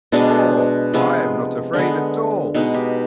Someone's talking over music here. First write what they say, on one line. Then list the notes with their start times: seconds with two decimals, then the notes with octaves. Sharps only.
'Oh, I am not afraid at all!'
0.12 B2 G#3 B3 D4
0.94 C3 F3 G#3 B3
1.73 D3 G#3 B3
2.54 B2 G#3 B3 D#4
2.74 G4